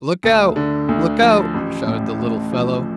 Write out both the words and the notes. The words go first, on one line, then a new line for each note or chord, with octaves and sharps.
"Look out! look out!" shouted the little fellow.
D2
D3
D2
F3
A1
A2
A1
F3